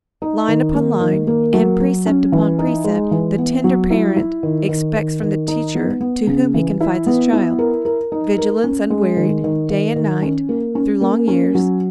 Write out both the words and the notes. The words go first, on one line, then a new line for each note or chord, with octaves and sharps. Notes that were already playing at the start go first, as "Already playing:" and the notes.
Line upon line, and precept upon precept, the tender parent expects from the teacher to whom he confides his child; vigilance unwearied, day and night, through long years.
D#4
D#3
A#3
D#3
A#3
F#3
F#3
C#4
E3
D#4
G#3
E3
B3
F#3
E4
E4
D#3
D#3
D#3
D#3
D#4
B3
B3
C#3
E3
E4
B3
E4
A#4
A#4
D#4
A#4
C#4
G#3
D#3
D#3
D#3
D#3
C#4
A#3
C#4
A#3
C#4
F#3